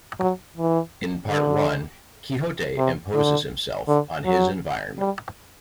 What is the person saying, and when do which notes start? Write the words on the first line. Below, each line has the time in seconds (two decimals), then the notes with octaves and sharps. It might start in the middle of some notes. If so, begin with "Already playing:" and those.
In Part One, Quixote imposes himself on his environment.
0.19 F#3
0.57 E3
1.30 D3
2.78 C3
3.14 D3
3.88 D3
4.25 F#3
4.99 G3